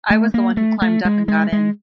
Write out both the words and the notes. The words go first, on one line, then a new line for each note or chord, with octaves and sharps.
I was the one who climbed up and got in.
A3
A#3
A3
A3
G#3
G#3
G#3